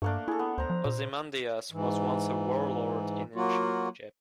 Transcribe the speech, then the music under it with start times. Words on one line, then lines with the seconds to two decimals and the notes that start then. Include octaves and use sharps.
Ozymandias was once a warlord in Ancient Egypt.
0.02 G2 A3 A#3 D4
0.28 E4 G#4 A4
0.39 B3
0.58 D2 C5 A#5
0.70 F3
0.85 A#2
1.72 G#2 E3
3.35 F#3 A#3 F4 F#4